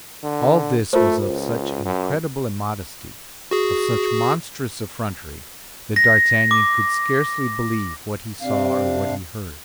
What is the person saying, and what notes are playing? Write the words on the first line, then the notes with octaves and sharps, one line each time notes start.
All this was of such incredible immodesty, of such monstrous effrontery, that d'Artagnan could scarcely believe what he saw or what he heard.
D3
A3 F4 A#4 C5
C#2
F#2
F#4 G#4
A#6
D6
C3 C4 D4 F5